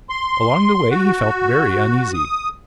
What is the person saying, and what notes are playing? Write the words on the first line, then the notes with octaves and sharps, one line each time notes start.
Along the way he felt very uneasy.
C6
F#4
D#6